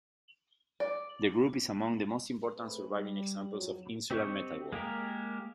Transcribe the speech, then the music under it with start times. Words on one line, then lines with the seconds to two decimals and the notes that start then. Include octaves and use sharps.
The group is among the most important surviving examples of Insular metalwork.
0.80 D5
2.55 A3 C4 G#4 B4
2.91 G3
3.52 F2 G#2 F#3
4.11 C4 G4 D#5 C#6 G6
4.73 G#3 A#3 G4 A#4